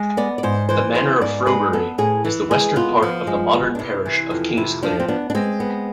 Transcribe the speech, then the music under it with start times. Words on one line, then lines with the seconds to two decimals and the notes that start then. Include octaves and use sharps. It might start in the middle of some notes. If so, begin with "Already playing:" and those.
The manor of Frobury is the western part of the modern parish of Kingsclere.
Already playing: G#3
0.17 B3 D5
0.38 D5
0.43 G#2 C5
0.69 E3 C5
0.95 B3 C5
1.21 G#2 D5
1.46 G#3 B4
1.73 B3 A4
1.98 A2 G#4
2.25 E3
2.51 G#3 G#4
2.76 B3 F4
3.03 F3
3.27 G#3
3.53 B3
3.75 D4
3.79 C3 E4
4.06 E3
4.31 F2
4.57 C3 E4
4.83 F3 D4
5.00 C4
5.08 B3 D4
5.30 D4
5.35 G#3 C4
5.60 B3